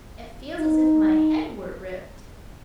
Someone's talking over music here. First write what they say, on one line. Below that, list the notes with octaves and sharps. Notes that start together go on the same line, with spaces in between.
"It feels as if my head were ripped."
D#4